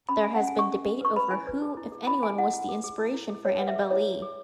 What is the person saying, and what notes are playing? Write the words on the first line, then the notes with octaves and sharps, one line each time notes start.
There has been debate over who, if anyone, was the inspiration for "Annabel Lee".
C#4 B5
C#4 G#5
C#4 F#5
G#5
C#4 C#6
C#4
C#4
B4 C#6
B4 B5
E4 G#5
B4
G#4
E4
G#4
E4 B5
G#4 G#5
E4 F#5
E4
G#4
G#4
E4
E4
G#4
E4 C#5
B4 F#5
E5
G#4
E4 C#5
B4
G#4